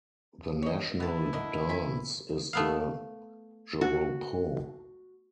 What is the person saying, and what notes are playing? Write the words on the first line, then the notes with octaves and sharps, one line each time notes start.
The national dance is the "joropo".
C#5 D#5
B3 E4 A5
D3 A#4 D#5
G#5 B5
A3 B3 F5
F#4